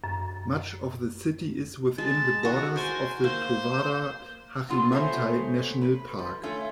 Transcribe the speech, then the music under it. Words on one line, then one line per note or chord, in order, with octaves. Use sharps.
Much of the city is within the borders of the Towada-Hachimantai National Park.
F#2
G#3 A5
F#4 A#5
A#4 C5 G#5
A#3 C5
F#3 B3 F4
A3 B3 C#4 C5 A#5
B4
F3
A3 C#4 F4